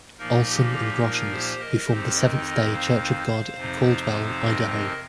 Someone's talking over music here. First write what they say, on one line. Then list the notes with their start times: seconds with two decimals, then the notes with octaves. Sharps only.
Olson and Groshans, who formed the Seventh Day Church of God in Caldwell, Idaho.
0.18 A#2 F3 A#3 D#4 A#4
0.47 G4
0.75 G4
1.04 A#4
1.31 G4 C5
1.59 A#4 D#5
1.87 F2 D#3 C4 D#4 G4 C5
2.16 A#4 D#5
2.44 A#4 D#5
2.72 C5 F5
3.57 F2 C3 F3 C4 D#4
4.42 A#4 D#5
4.70 A#4 D#5